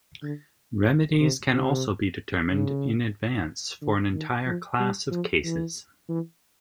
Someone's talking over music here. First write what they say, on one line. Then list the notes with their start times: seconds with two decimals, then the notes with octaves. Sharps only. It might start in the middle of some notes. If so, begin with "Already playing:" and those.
Remedies can also be determined in advance for an entire class of cases.
0.23 D3
1.21 C3
1.53 C3
2.51 C#3
3.82 D3
4.14 D#3
4.46 F3
4.79 G3
5.11 F3
5.44 E3
6.09 E3